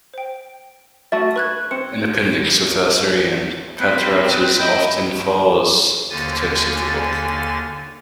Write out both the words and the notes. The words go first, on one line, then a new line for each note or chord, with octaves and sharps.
An appendix of the Assyrian patriarchs often follows the text of the book.
C5 G5
A3 F#4 E5 A6
B4 C#6 F#6 G#6
C4 C#7
C4 B4
E4 D#5 G5
D#2 D3 G#5 A6